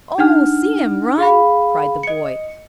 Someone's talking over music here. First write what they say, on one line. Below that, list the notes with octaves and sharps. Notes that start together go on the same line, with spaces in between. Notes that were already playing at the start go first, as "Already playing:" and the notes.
"Oh, see him run!" cried the boy.
D4 D#4 F#5 F6
G#4 F5 B5
D#5 C#7